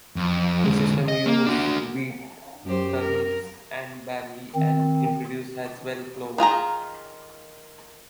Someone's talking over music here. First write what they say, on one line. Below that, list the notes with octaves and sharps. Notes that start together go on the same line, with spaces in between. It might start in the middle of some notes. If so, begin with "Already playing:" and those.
The system used wheat, turnips and barley and introduced as well clover.
F2
D3 G#3
D#5
A#3
D4 F#4
F#2 G4 C5
A#4
D#3 C4
D#3 F4 G#4 A#5